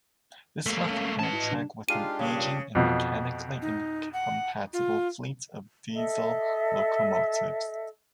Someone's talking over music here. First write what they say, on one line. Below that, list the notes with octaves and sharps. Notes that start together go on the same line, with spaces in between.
This left Amtrak with an aging and mechanically-incompatible fleet of diesel locomotives.
A3 A#3
C#4 F5 D#7
E3 A3 C#4 B4 A5
E4 F#4 D#5
C#3 G3 D4
G#3 D4 D#4 F4 G4 D#7
G2 A#2 C#3
F2 B2
D#4
F#5
F4
A4 D#5 E5